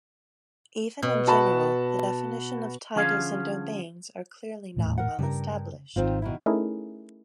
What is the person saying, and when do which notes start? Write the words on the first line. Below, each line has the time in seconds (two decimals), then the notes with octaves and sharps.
Even in general, the definition of titles and domains are clearly not well-established.
1.02 B2
1.27 F#4 A5 B5
2.96 D3 F3 C#4 G#4 F5
4.77 D#1 E2 A2
4.98 A#4 F#5
5.19 G2 C#3 A#4
5.96 G#1 D#3 C4 F4
6.22 B2 D#3 E4
6.46 A3 C#4 D#4 E4 G#4 A#4